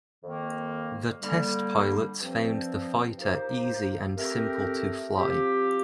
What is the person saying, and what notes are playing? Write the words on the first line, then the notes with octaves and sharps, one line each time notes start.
The test pilots found the fighter easy and simple to fly.
F2 D#3 A#3
D3 G3 A#3
G2 F3 C4
F3 A#3 D#4 G4 C5
A3 C4 G4 A#4
F3 C4 G4